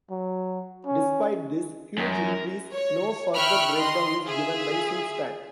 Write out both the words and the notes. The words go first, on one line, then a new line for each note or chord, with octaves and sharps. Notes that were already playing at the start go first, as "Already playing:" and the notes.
Despite this huge increase, no further breakdown is given by Singstat.
F#3
C#4
F#2 D#3
A#4
C#5
E5 G5 B5 C#6 F6 F#6
D#5 C6
F4 G#4 E5